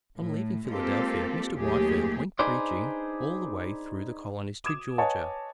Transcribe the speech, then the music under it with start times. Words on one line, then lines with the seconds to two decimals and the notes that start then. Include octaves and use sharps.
On leaving Philadelphia, Mr. Whitefield went preaching all the way through the colonies to Georgia.
0.18 A2
0.68 G#3 A#3 C4 F4 G4 A4
1.56 D#2 F#3 A3 G4 G#4
2.39 D4 D#4 G#4 B4 C5 D5
4.64 D6 D#6 G#6 E7
4.98 B4 C#5 D#5 F#5 G#5 A5